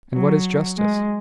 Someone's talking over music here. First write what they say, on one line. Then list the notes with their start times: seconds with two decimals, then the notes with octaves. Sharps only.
And what is justice?
0.14 F#3
0.78 G#3